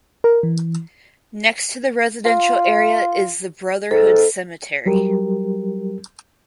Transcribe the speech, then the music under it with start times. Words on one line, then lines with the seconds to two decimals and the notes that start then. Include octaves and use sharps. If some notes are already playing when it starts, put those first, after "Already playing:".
Next to the residential area is the Brotherhood Cemetery.
0.24 A#4
0.43 E3
2.26 F4
3.91 G#2 A4
4.86 F#3 G3 G4 A#4